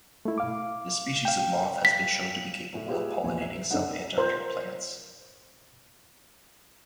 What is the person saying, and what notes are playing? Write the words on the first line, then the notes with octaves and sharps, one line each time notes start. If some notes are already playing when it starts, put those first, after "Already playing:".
This species of moth has been shown to be capable of pollinating subantarctic plants.
A3 E4
F5 D6
F5 G5
B6
A2
F4 G4 G#4 B4 E5
A#1 E2 G#5
E5
F#2 D3 C4 D#4 F#5
A#4 C5